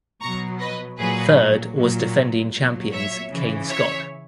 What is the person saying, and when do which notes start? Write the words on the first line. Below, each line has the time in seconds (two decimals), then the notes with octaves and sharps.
Third was defending champions Kayne Scott.
0.21 B2 F#3 A#5 C#6
0.60 B4 D#5
0.99 A#2 F#3 G#4 B4
1.76 A#2 F#3
2.53 A#2 F#3
2.92 C#5 E5
3.31 C#3 E3
3.69 C#5 E5